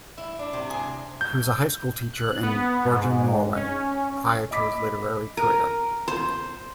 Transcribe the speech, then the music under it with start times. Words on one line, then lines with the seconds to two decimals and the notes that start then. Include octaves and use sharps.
He was a high school teacher in Bergen, Norway, prior to his literary career.
0.18 E4
0.39 D4
0.53 C3
0.70 G#4
1.21 G6
2.14 F#6
2.43 B3
2.85 G#2
3.56 C#4
4.51 D#5 B5 D6 B6
5.37 A#4
6.08 C5